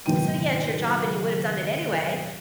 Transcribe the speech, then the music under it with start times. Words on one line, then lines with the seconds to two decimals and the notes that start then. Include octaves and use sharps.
so yeah, it's your job and you would have done it anyway,
0.06 F#1 D#2 G#2 B2 G5 D#7